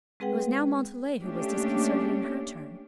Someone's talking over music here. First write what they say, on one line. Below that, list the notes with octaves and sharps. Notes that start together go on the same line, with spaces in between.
It was now Montalais who was disconcerted in her turn.
G#3 C4 G#4 B4 F#5 G5
A3 A#3 C#4 D4 G4